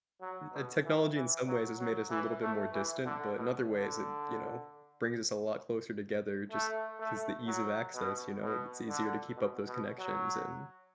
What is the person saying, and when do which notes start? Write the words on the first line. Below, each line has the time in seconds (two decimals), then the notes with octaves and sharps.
eh, technology in some ways has made us a little bit more distant, but in other ways it, you know, brings us a lot closer together just 'cause the ease of access, you know, it's easier to keep up those connections, and
0.21 F#3
0.53 B2
0.84 E3
1.15 E3
1.47 F#3
1.79 F#3
2.10 E3
2.41 A3
2.73 E3
3.05 D3
3.37 B2
3.68 D3
6.52 A3
6.99 A3
7.47 F#3
7.94 B2
8.41 B2
8.89 D3
9.36 B2
9.68 B2
9.99 F#3